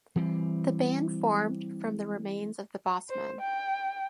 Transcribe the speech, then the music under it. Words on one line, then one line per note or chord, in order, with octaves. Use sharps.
The band formed from the remains of The Bossmen.
E3 G3 C4
C5
G5